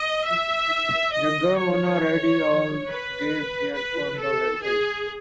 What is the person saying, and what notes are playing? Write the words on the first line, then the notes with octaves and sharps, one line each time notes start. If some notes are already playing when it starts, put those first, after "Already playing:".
Jaganmohan Reddy all gave their condolences.
Already playing: D#5
E5
D#5
C#5
B4
B4
A4
G#4